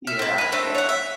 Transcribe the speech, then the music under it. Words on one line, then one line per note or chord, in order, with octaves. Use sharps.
Yeah, yeah.
E5 F6
C4 E4
A#4 B4
A3 C4 D4 E5
C#5 F#5
E5